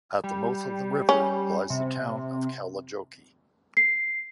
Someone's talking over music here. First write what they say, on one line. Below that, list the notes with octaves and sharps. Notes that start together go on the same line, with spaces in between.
At the mouth of the river, lies the town of Kalajoki.
G3
C#4
C3
C7